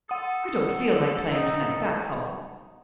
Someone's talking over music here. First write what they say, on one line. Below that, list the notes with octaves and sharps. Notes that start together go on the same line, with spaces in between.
"I don't feel like playing to-night; that's all."
A4 F#5 D#6
D#4